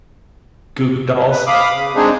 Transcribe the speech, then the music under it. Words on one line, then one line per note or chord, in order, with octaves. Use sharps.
Goo Goo dolls.
B4
F5 B5 D6 D#6
C#3
G#3 C4 D4 D#4 G#4